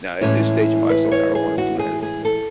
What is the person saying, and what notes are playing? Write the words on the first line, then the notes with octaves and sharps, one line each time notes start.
now at this stage, I'm like, "So, okay, I don't wanna do that anymore."
A2 E3 G#3 C#4 E4 C#5
B4
C#5
G#4
F#4
G#4
G#4
A4